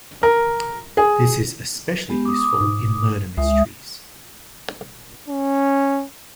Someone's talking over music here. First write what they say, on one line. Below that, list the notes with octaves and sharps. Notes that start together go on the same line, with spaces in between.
This is especially useful in murder mysteries.
A#4
G#4
G#3 B3 G4
D6 D#6
G#2
C#2 G#3 E5 D#6
C#4